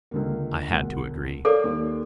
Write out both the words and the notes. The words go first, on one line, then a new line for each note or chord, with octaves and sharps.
I had to agree.
C#2 D3 A#3
E1 D2 F#5
A4 A#4 C#5 D5 F5 D6
D#2